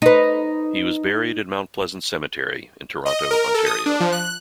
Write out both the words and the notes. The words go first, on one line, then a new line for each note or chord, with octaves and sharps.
He was buried at Mount Pleasant Cemetery in Toronto, Ontario.
D#4 B4
D#5
A#4
A4
D#6
D4
F3
F#6